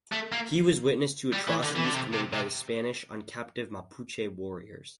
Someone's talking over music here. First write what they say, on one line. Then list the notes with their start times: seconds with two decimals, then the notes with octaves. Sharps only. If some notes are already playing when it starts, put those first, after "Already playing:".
He was witness to atrocities committed by the Spanish on captive Mapuche warriors.
0.12 A3
0.32 A#3
1.33 G3
1.48 E3
1.63 D3
1.76 E3
1.84 D3
1.93 C3
2.13 C3
2.33 C3